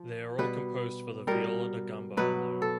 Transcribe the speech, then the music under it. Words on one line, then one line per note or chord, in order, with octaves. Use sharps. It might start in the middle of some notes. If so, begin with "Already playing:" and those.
They are all composed for the viola da gamba alone.
Already playing: F3
B2 G3 B4
B2 G3 A#4
B2 F#3 B4
A4